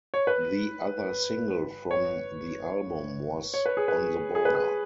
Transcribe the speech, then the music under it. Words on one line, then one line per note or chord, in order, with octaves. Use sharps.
The other single from the album was "On the Border".
C#5
B4
C#5
C#5
B4
G#4
B4
G#4
B4
G#4